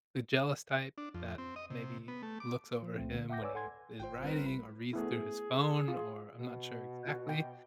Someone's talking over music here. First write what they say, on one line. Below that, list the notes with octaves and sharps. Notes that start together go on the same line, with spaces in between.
the jealous type that maybe looks over him when he is writing, or reads through his phone, or I'm not sure exactly,
D4
F2
C4
D#5
C3
B3
A3
D6
F3
C#2 A#2 A3 C4
D3
E5 F#5 G5 D6 G6 A#6
B4 C#5 D5 G#5 D6 E6
A4 F#5 G#5 C6 G#6
G#1 F4 C5 G5 C6
C2 C4 A#4 B4
B5
A3 B3 E4 G#4
F4
B2
F#4
G5